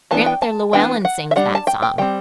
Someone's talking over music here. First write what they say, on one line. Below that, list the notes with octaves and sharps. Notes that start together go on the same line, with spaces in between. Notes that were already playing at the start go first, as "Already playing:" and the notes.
Gran'ther Llewellen sings that song.
E3 B3 D4 A5
G5
A5
E3 B3 D4 G5
F#5
E5
G3 D4 F#5
A5
G5
G5
G3 C4 G5